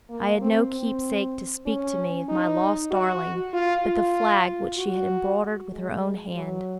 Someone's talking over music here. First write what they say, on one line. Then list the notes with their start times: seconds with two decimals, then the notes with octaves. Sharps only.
I had no keepsake to speak to me of my lost darling but the flag which she had embroidered with her own hand.
0.10 A#3
0.41 C4
0.72 C4
1.66 C#4
2.29 D#4
2.91 F#4
3.53 F4
3.85 F4
4.78 F#4
5.72 G#3
6.34 F#3